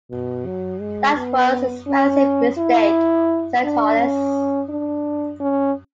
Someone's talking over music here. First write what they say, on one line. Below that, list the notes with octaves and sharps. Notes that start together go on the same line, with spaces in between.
"That was a massive mistake," said Hollis.
B2
F#3
G#3
B3
C#4
E4
D4
C#4
D4
C#4